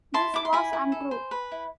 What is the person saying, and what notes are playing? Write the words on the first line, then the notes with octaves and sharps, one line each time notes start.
This was untrue.
E4 A5 C6
E4 D6
C6
E4 G#5 B5
E4
A4
C5
B4
E4